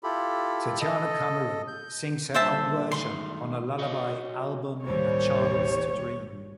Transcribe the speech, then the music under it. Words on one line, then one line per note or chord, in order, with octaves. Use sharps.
Tatiana Cameron sings her own version on her lullaby album "A Chance to Dream".
E4 F4 G4 A4 B5
A4 D#5
G6
A#2 D3 G3 C5 E5 A5
D#3 G#3 A3 C6
F#4 C#5 D#5
A1 D#2 G3 C5 C#5